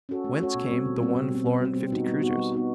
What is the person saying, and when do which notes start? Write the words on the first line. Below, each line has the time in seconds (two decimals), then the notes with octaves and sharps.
Whence came the one florin fifty kreuzers?
0.09 C#4 F#4 A4 C#5
0.24 A3
0.39 C#4 F#4 A4 C#5
0.55 B2
0.71 G3 C4
0.85 B2
1.00 G3 C4
1.16 B2
1.31 G3 C4
1.46 B2
1.61 G3 C4
1.76 G3
1.92 B3 D#4 F#4
2.06 G3
2.22 B3 D#4 F#4
2.37 G3
2.52 B3 D#4 F#4